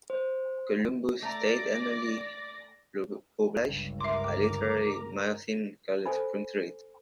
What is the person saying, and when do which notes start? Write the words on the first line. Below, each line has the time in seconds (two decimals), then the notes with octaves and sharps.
Columbus State annually publishes a literary magazine called "Spring Street".
0.10 C5
1.22 A3 D5 A#5 A#6
3.58 G1 C#2 G2
4.00 A#4 E5 C6 D6
6.06 A4 C5 G#5 B5